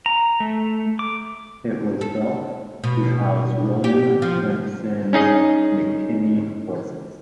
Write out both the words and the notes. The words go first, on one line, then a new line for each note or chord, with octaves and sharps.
It was built to house William Simpson's "McKinney" horses.
A#5
A3
D6
A4
B2
G4
F3
C#4 D#4 G#4 D#5